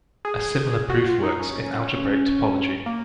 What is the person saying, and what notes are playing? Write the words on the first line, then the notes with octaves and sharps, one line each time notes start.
A similar proof works in algebraic topology.
G#4
F#4
F4
D#4
C#4
A#3